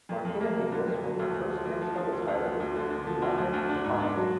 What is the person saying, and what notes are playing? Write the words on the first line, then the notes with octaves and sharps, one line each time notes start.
Martina Hingis won her first mixed doubles title with Mahesh Bhupathi.
F2
F2
A#3
F#3
D3
F2
F#3
D2
D2
F3
D2
F3
F3
D2
D2
F3
D2
D3
D2
F3
D2
D2
D2
D4
G#2
D4
F#3